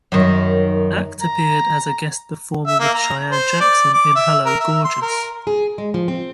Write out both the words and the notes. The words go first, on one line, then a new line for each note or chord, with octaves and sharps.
Act appeared as a guest performer with Cheyenne Jackson in Hello, Gorgeous!
F#2 D#3
A#5
E5
A#3
A#5
C5
D5
D6
E5
A#4
E5
C6
A#4
G#4
G#3
F3
C4